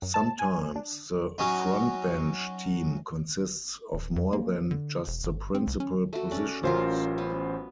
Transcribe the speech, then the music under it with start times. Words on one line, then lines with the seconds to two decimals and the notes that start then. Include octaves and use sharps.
Sometimes the frontbench team consists of more than just the principal positions.
0.02 F#2
0.14 A5
0.39 G#5
0.76 D4
1.38 F#3 C#4 D#4
3.93 D1
4.16 F2
4.33 A#3
4.71 D3
5.08 E1
5.23 G1
5.55 C4
5.67 C2
5.80 C#4
6.13 A3 F#4
6.31 C#4 D5
6.63 A1 F#3 C#4 F4 A#4 C5
7.18 B3